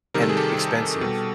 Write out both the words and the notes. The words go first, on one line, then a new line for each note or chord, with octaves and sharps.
and expensive,
C3 D#3 G3 A#4
A4
G#4
G4 A4
B2 G3